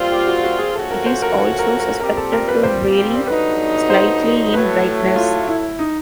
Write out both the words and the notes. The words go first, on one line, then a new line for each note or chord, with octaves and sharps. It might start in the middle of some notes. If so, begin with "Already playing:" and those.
It is also suspected to vary slightly in brightness.
Already playing: A#2 G3 C4 F4
G4
F#4
F#4
G#4
F3 A3 C#4 F#4 A4
A#4
C5
A#4
A#4
A#4
A#4
A#2 G3 C4 A#4
A4
A#4
B4
C5
G2 D3 F#3 B3 D#4 B4
C5
A2 F#3 A3 B4
F4
E4
D#4